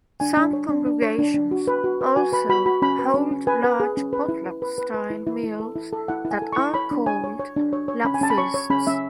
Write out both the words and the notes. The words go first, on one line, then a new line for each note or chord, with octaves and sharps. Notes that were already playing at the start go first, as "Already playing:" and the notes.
Some congregations also hold large potluck-style meals that are called Lovefeasts.
D4 G#5
D4
C#5
D4
D4
C#5
D4
D4
F#4
B4
F#4
B4
F#4 G#5
B4 B5
F#4 B5
F#4 B5
C#4 B5
B4
C#4
C#4
B4 G#5
B4
G#4
C#4
B4
E4
B4
B4
B4
B4
E4
E4
E4
A4
E4
A4
E4 F#5
E4
G#5
A4
C#6
E4
C#5 B5
D4
C#5 G#5
C#5
C#5
D4
C#5
C#5
C#4 B5
G#5
C#4 A5
B5
C#5 C#6
C#5
C#4 B5
C#4 E5